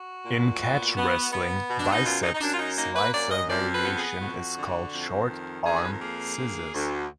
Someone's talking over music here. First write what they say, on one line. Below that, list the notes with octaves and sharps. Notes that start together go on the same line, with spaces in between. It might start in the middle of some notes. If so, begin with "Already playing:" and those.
In catch wrestling biceps slicer variation is called short-arm scissors.
Already playing: F#4
A#2
B3
B3
B3
B2
D4
D#4
F#2 F4
D#4
D#4
F#2 D4
F4
D#4
A#3 D#4
B4
F#2 D5
D#5
F2 D5
B4
B3
G#4
F2 F#4
D3
F2
D#3
F2 G#4
D5
B4
A#4
A#3 G#4
D2
D2